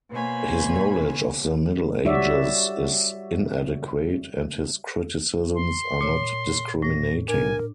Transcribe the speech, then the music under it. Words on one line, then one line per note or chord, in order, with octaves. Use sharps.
His knowledge of the Middle Ages is inadequate, and his criticisms are not discriminating.
B2 A#3 C5 C#5 G#5 B5
G3 F#4 C#5 D5 E5
C6
A#2 C#5
A2 A#6
D4 A#4 G#5